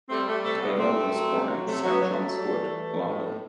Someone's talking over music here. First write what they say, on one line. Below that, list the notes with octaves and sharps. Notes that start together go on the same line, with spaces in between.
Taylor was born in Saint John's Wood, London.
G3 A3 C4
G3 A3
C3 A3
G3 B3
C3 A3 C4
C3
F#3
C3
F#3
C3 A3
F#3
B3
F#3
A3
F#3
G3
E3
E3
G3
A2
A2